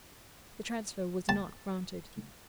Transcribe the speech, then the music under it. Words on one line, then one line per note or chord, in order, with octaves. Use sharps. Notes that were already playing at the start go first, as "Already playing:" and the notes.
The transfer was not granted.
A5